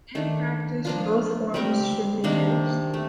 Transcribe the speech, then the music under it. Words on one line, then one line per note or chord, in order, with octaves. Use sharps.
In practice, both forms should be used.
D#3 A3 D4
F3 A#3 D4 F4
G3 C4 G4 A#4
C3 D#3 A#3 D4
A3